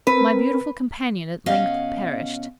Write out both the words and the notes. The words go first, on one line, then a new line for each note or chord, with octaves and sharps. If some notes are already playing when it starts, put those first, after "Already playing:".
My beautiful companion at length perished.
C4 A#4 B4
B2 C#4 D#5 F5 F#5 G#5